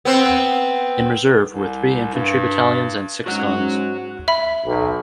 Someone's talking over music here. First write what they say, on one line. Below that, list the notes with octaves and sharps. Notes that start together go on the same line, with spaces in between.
In reserve were three infantry battalions and six guns.
B3 C4
C2
G2
G#2 G#3 C#4 F#4 C#5 F#5
E5 B5
B1